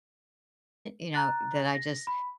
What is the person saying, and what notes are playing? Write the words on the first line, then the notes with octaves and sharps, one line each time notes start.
you know, that I just
A#5 F#6 A6
A#6
B5